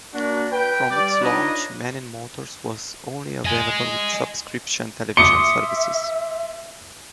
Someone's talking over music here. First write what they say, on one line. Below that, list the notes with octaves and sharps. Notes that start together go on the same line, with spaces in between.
From its launch, Men and Motors was only available with subscription television services.
A#3 D4 F#4
B4 G5
G3 D5
D4 D#4 F4 B4 C#5 D#5
D#5 G#5
E5 C6 D6 D#6 C#7